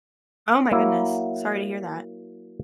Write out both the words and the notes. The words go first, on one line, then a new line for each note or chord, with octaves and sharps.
Oh my goodness. Sorry to hear that.
F#3 A#3 E4